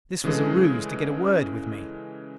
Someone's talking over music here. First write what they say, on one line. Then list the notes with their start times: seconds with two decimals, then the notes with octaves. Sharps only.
This was a ruse to get a word with me.
0.24 C#3 E3 G#3 G#4 A4